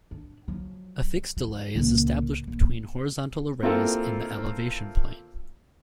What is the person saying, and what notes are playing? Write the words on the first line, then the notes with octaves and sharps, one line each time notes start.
A fixed delay is established between horizontal arrays in the elevation plane.
D4
F3 F#3
F3
C#2 A#2
A#1
A#3 C4 E4 F4 A4 F5